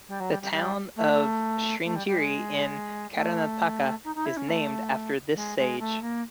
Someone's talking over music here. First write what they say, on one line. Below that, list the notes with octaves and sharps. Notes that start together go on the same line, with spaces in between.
The town of Sringeri in Karnataka is named after this sage.
G3
F#3
G3
G3
G3
A3
A3
G3
G3
G#3
A3
D#4
D#4
E4
C#4
A3
G#3
G#3
A3
A#3